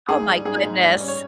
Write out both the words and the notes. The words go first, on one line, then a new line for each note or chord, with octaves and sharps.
Oh my goodness.
G#2 G#4
G3
G#2 G#4
G#2
G3
C#4
C#5